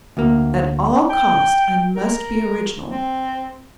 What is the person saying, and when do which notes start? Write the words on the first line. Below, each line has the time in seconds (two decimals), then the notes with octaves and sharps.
At all costs I must be original.
0.17 D2 A#3
1.10 G5
1.96 A#4
2.89 C4